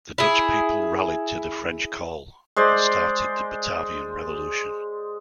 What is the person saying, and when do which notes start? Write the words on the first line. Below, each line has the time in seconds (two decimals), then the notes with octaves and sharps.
The Dutch people rallied to the French call and started the Batavian Revolution.
0.18 E4 G#4
2.57 G#3 C5 D5